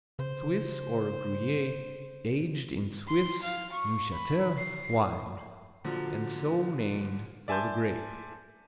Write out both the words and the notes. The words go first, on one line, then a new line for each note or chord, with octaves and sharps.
Swiss or Gruyere aged in Swiss Neuchatel wine and so named for the grape.
C#3 C5
C6
F5
C#6
B5
C7
A#2 D3 F3 F#3
D5 E5 G#5 A5 C6 G6